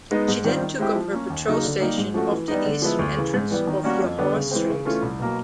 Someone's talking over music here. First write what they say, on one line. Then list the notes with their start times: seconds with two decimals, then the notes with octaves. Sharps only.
She then took up her patrol station off the eastern entrance of Johore Strait.
0.11 G#3 B3 D#4
0.28 G#2
0.44 D#3 G3 C4 F4
0.62 D#3
0.79 G#3 C4 E4 G4
0.95 F3
1.12 A#3 C#4
1.30 D#2
1.47 C#3 F#3 A#3 D#4
1.64 D3
1.80 G3 A#3 D#4
1.98 G#2
2.14 F3 A3 C#4 F#4
2.31 E3
2.48 G3 B3 D#4
2.65 D3
2.82 F3 G#3 B3 E4
2.99 D2
3.17 C#3 E3
3.34 G#2
3.51 E3 G3 B3
3.67 D#3
3.83 G3 A#3 C#4 F#4
4.01 F2
4.18 D3 G3 B3 D4
4.35 C#3
4.51 E3 G#3 C4
4.69 C#3
4.85 E3 A3 C#4 F4
5.02 C2
5.19 B2 F#3 A#3